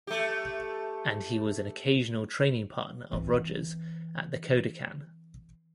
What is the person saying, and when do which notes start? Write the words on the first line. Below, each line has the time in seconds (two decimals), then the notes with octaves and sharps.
And he was an occasional training partner of Rogers at the Kodokan.
0.07 A3 G4
3.12 E3 C4